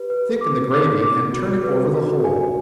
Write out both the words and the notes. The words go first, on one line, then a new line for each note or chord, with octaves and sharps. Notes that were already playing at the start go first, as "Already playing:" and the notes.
Thicken the gravy and turn it over the whole.
Already playing: G4 B4
B4
D6
D6
D6
F#4
B4
F#4
G#5